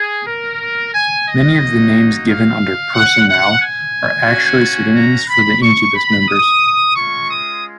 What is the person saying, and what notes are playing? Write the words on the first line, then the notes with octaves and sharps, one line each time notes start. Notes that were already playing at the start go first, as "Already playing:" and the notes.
Many of the names given under 'Personnel' are actually pseudonyms for the Incubus members.
Already playing: G#4
A#4
G#5
D#5
A#3 D#4 F#4
F5
F#5
F#5
G#5
A#3 C#4 F#4
A#5
B5
C#6
B5
D#6
G#3 C#4 F4 C#6
D#6